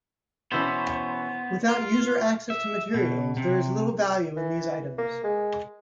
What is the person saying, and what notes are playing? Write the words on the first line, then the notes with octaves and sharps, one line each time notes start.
Without user access to materials, there is little value in these items.
B2 E3 B3 C#4 C5
F4
E5
B2
C3
E3
A#3
G#3